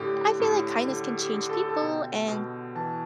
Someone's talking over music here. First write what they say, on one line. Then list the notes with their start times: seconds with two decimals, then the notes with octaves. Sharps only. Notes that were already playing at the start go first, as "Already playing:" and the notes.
I feel like kindness can change people, and
Already playing: A2 D3 G4
0.40 A2
0.87 D3 G4
1.18 G4
1.34 D3
1.49 A4
1.60 G4
1.69 A4
1.81 B2 G5
2.28 B2
2.75 E3 A5